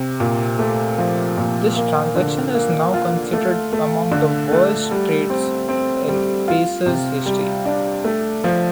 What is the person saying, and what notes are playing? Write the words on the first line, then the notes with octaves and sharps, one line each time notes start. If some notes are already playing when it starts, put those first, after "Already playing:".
This transaction is now considered among the worst trades in Pacers' history.
Already playing: C3
A#2
A3
F3
A#2
A#3
D3
A#3
F4
A3
A3
D3
A3
G3
C4
C4
G3
F4
C3
G3
D4
A3
F3